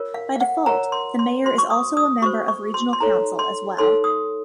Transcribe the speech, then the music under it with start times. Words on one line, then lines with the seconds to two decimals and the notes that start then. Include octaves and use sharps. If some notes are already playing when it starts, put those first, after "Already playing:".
By default the mayor is also a member of Regional Council as well.
Already playing: F4 A#4 C#5
0.14 F5
0.36 F5
0.41 F#5
0.66 F4 A#4 C#5 A#5
0.92 C6
1.19 C6
1.44 F#4 C5 C6
1.58 C#6
1.70 D#6
1.97 D#6
2.22 F#4 C5 C#6
2.48 C#6
2.74 C6
2.93 C6
3.00 D#4 A4 C#5 A#5
3.39 C6
3.78 D#4 A4 C#5 C6
4.04 D#6